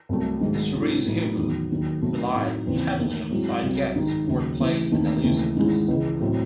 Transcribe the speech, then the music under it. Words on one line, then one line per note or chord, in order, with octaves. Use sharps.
The series' humor relied heavily on sight gags, wordplay, and allusiveness.
C2 C3 F#3 A3
G#2 D#3 F#3 A3
G#2 F#3 C4 E4
A2 F#3 A3 D#4
E2 D#3 F#3
D#2 D#3 F#3
C3 F#3 A3 D#4
A2 F#3 C4 D#4
D#2 C#3 E3 C4
D#2 D#3 A3
G#2 F#3 C4 E4
C2 C3 F#3
G#2 D#3 G#3 D#4
D#2 C#3 F#3
C#3 E3 A3
D#2 D#3 A3 C4 D#4
D#2 C#3 E3 A3
G#2 D#3 G#3 C#4 E4
C#2 C#3 E3
A2 F#3 C4